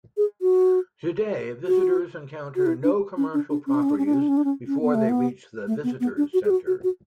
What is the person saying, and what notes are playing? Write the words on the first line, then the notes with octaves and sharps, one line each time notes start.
Today, visitors encounter no commercial properties before they reach the Visitor's Center.
G#4
F#4
F#4
F#4
E4
D4
C#4
D4
D4
C#4
D4
C#4
D4
C#4
D4
C#4
D4
C#4
D4
C#4
C#4
B3
A3
B3
A3
B3
B3
D4
F#4
G#4
F#4
F#4
F#4